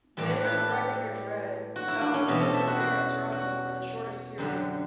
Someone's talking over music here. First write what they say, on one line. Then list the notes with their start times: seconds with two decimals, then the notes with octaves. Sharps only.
David Breakenridge Read held the post of mayor of Toronto for the shortest period.
0.17 A2 E3 G3 D5
0.31 B4
0.44 B4
0.57 A4
0.70 G4
1.76 F#4
1.88 E4
2.01 D4
2.14 C#4
2.28 E2 B2 G3 G4
2.41 A4
2.54 E5
2.67 F#4
2.80 F#4
3.32 F#4
4.38 F#2 D3 G3